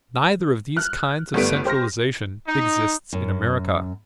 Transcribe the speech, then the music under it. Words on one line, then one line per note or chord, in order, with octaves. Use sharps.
Neither of these kinds of centralization exists in America.
F6 F#6
G1 G3 A3 B3 D7
G4 C5 F6 A#6
D#4
F#2